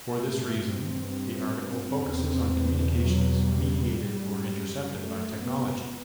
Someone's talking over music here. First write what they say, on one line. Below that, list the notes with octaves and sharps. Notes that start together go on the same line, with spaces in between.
For this reason, this article focusses on communications mediated or intercepted by technology.
G2 A3
C4
C4
E2 B2
F#3
G3
F#2
A3
B3